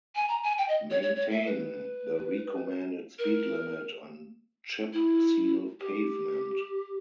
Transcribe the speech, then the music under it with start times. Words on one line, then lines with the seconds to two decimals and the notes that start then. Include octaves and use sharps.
Maintain the recommended speed limit on chip seal pavement.
0.15 G#5
0.29 A#5
0.43 G#5
0.58 G5
0.69 D#5
0.90 C#5
1.02 C#5
1.16 C#5
1.31 E5
1.46 B4
3.19 A#4
4.93 E4
5.80 G4